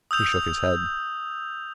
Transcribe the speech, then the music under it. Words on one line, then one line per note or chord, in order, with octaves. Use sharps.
He shook his head.
D#6 E6 G6 F7